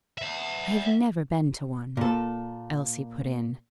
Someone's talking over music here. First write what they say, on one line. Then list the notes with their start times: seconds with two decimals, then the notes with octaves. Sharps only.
'I have never been to one,' Elsie put in.
0.18 E5 F#5
1.97 A#2 A4